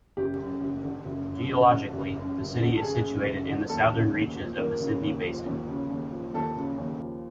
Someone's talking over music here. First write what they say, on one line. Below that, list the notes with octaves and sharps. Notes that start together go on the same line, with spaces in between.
Geologically, the city is situated in the southern reaches of the Sydney basin.
F#1 G4
F#2
F#1
D3
F#1
F#2
F#1
D3
F#1
F#2
F#1
D3
A4
F#1 G#4
F#2
F#1
D3
D#2 A4
C#3
D#2
F3
D#2 A#4
C#3
D#2
F3
D#2
C#3
D#2
F3
D#2 A4
C#3
D#2
F3